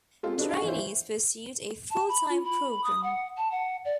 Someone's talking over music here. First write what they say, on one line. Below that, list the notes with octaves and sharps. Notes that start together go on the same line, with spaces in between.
Trainees pursued a full-time programme.
G#3 C4 F4 A4
D4 D#4 F#4 A4 B4
F5 F#5 C#6
E3 E4 C5
A5
B5
F4
B5
D#6
F#5
A5
F#5
D5